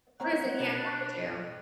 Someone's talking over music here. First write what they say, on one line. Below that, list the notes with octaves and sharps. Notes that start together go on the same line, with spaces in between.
The prison, yeah, not the jail.
A#3 C4 C#5 F#5 F#6
B2 D4 B4 A5 A6